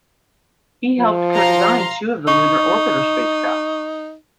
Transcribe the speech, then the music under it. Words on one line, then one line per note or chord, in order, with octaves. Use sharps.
He helped co-design two of the Lunar Orbiter spacecraft.
F3
F5 A#5 C6
D#4 C#6